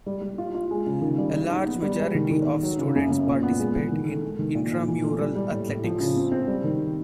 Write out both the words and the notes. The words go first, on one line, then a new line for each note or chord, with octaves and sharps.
A large majority of students participate in intramural athletics.
G3
G3
F4
F4
G#3
C#3
D#3
G3
D#4
D#4
B3
G3
G#3
D#3
D#3
D#3
F#3
C#3
F#2
F#2
A#2
B3
G#3
E3
D#3
A3
G#3
D#3
A#2
A#2
E3
A3
G3
G3
A2
A2
F3
C#3
C4
C4
G3
D#3